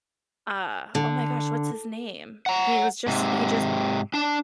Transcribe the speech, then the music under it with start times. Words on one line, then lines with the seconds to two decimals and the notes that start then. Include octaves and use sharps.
uh oh my gosh, what's his name? He was just he just
0.95 D3
2.46 F#5 A#5
3.07 G#2 C3
4.14 D4 A5